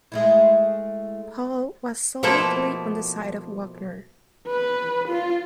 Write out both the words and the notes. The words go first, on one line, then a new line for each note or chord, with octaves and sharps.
Pohl was solidly on the side of Wagner.
G#3 A3 E4
B2 F3 A3 A#3 E4 A4
B4
F4